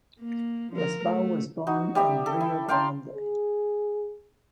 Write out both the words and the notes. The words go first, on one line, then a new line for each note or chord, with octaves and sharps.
Lisboa was born in Rio Grande.
A#3
F3 A#4
A3
D#4 F#4
G3 G4 E5 D#6
A4
E4
F5 G5 A#5 C6
G#4